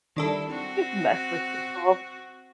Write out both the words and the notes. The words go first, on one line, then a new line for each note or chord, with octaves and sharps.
Just mess with people.
D#3 G3 D4 E4 A4
C4 F#4